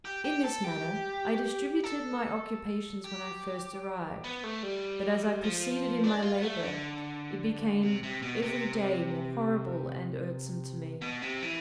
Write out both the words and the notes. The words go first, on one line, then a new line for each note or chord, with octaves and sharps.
In this manner I distributed my occupations when I first arrived, but as I proceeded in my labour, it became every day more horrible and irksome to me.
G4
G4
A4
G4
A4
G4
B3
A3
G3
F3
D4
F4
B3
A3
D3
C3
C3
B2
C3
B2
C3
E3